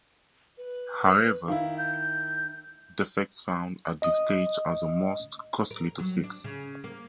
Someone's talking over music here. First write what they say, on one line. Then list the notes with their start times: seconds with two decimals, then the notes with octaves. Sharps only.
However, defects found at this stage are the most costly to fix.
0.58 B4
1.48 D#3 E4 F5
1.78 G6
4.02 D#5 D#6
5.71 A#4
5.99 F#3
6.23 D4
6.44 C#3
6.84 A#3